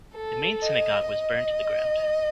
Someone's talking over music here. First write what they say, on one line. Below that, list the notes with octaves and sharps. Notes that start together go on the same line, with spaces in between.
The main synagogue was burned to the ground.
A4
D#5
D#5